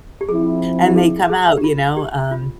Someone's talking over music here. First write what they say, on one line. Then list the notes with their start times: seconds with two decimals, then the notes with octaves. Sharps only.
and they come out, you know, um,
0.21 G4
0.29 F3 C4 E4 G#4
0.79 F4
0.87 G4
0.96 G#4
1.30 G#4
1.57 G4
1.64 F4
1.97 G4
2.31 F4